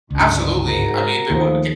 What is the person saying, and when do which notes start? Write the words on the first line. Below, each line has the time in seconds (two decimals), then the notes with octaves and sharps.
Absolutely, I mean, but what okay.
0.10 G1 C#2 F#2 D4
0.67 G#2 F#4 A#4 A#5
1.30 D#2 D#3 F3 A3